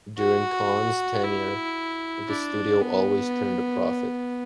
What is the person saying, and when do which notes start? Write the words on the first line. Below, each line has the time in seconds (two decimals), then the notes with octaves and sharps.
During Cohn's tenure, the studio always turned a profit.
0.17 F#4
1.24 E4
2.28 D4
2.81 B3